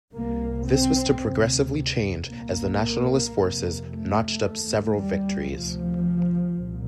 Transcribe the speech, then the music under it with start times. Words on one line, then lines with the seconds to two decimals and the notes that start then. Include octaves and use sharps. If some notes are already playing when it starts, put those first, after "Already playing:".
This was to progressively change as the Nationalist forces notched up several victories.
0.14 C2 C3 A#3
0.68 C4
1.21 D2 C3
2.27 C2 A#2 A#3
3.34 F2 C3
3.88 A3
4.41 D#2
4.95 G3
5.47 D2 C3 F3
6.55 C2 A#2